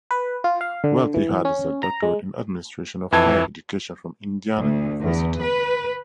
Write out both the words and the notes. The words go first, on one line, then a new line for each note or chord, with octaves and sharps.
Welty has a doctorate in administration of higher education from Indiana University.
B4
F4
F5
D3
E3
C#4
A#5
G#3
F2 E3 A5 G#6
D2
E2
B4